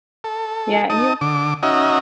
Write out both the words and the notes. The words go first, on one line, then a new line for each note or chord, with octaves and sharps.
Yeah, and you'll
A4
D#4 A5 D#6
D3 D6
C#4 D#4 F#4 D#5 E5 A#5